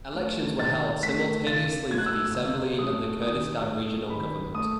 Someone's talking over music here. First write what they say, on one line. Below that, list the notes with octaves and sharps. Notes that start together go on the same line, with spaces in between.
Elections were held simultaneously for the assembly of the Kurdistan Regional Government.
A3
D#3 A6
A3 B6
C#3 A6
F#3 A3 G#6
F#6
E6
F#6
C#3 E6
F#3 A3 D#6
D#3 D#6
A3
D#3 B5
A3 D#6